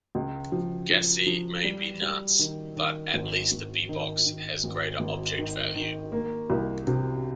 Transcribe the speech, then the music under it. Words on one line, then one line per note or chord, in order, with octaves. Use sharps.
Gassee may be nuts, but at least the BeBox has great object value.
C#2
F3
F3
F3
G3
G3
D#3
D#3
G#1
G#1
D#3
D#3
G#1
G#1
D#3
D#3
A#3
C2
C3